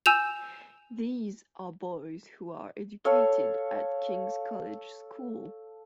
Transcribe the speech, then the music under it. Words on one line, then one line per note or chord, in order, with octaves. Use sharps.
These are boys who are educated at King's College School.
G#5 E6 G6 E7 F7
A4 C#5 F5